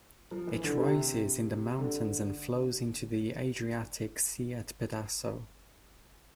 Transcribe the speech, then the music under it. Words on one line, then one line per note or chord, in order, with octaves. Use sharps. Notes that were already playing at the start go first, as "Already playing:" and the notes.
It rises in the mountains and flows into the Adriatic Sea at Pedaso.
F3
E3
D3
C3
D3